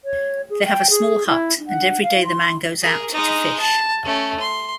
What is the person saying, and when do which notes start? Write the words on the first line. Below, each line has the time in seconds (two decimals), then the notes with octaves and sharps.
They have a small hut, and every day the man goes out to fish.
0.05 C#5
0.50 G#4
0.65 G5
0.90 G#4
1.28 E4
1.68 F#5
2.03 F5
2.25 C6
2.82 G#4 A#4
3.12 G#3 D#4
3.60 A5
4.04 A3 C#4
4.40 C6